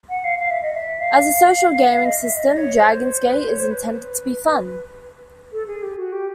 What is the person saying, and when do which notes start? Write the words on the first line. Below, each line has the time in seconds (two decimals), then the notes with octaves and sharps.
As a social gaming system, Dragon's Gate is intended to be fun.
0.09 F#5
0.24 F5
0.39 F5
0.51 E5
0.62 D#5
0.74 E5
1.00 F5
1.90 F5
2.05 D#5
2.21 E5
2.36 D#5
2.58 C#5
2.80 C5
3.03 C5
3.26 B4
3.38 C5
3.49 C#5
3.60 C5
3.71 B4
5.52 A4
5.67 G#4
5.83 G4
5.97 F#4
6.12 G4